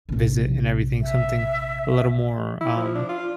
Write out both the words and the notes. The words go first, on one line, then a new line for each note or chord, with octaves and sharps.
visit and everything, something a little more, um
A#1 C3
E5
E4
F3
D4
F4